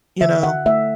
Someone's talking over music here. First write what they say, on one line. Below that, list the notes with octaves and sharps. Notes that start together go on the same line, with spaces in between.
You know?
D3 E5
F#5
A3 E5